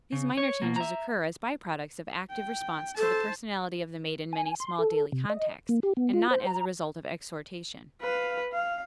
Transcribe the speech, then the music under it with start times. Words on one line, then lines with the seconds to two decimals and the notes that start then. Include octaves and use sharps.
These minor changes occur as by-products of active response to the personality of the mate in many small daily contacts, and not as a result of exhortation.
0.12 C#3
0.37 C#5
0.62 B2 A#3
0.76 E5 A#5
2.30 G5
2.98 A4 C5 A5
4.33 G#5
4.60 C6
4.79 A4
5.12 C3
5.30 D#5
5.69 A#3
5.83 G4
5.97 B3
6.14 F4
6.31 C5
6.47 A#5
8.01 B4 F5
8.52 F5